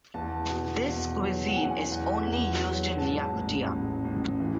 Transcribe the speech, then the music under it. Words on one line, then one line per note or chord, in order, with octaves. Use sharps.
This cuisine is only used in Yakutia.
E2 A5
B2
E2
F#3
F#5
E2 G#5
E2
E2
F#3
G#2 A5
A1
A1
A1
E3